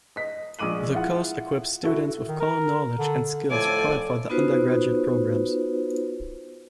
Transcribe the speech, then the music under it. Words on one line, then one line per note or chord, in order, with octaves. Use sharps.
The course equips students with core knowledge and skills required for the undergraduate programmes.
D#5 B6
A#1 G#3 D6 D#7 F#7
E4 F4 G#4 F#5
E4 F#4 A4
D#3
A#4
D3
A2 F3 A4 C#5 D5 G#5 D6
B3 D#4 F4 F#4 B4 C5